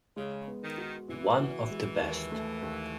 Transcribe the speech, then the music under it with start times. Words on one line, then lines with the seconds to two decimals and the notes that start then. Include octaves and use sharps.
One of the best.
0.16 C#3 G#3
0.47 B3
0.62 D#3
0.78 F#4
1.08 E3 B3
1.40 F#4
1.70 G#3
2.01 D#2
2.32 A3
2.62 D#2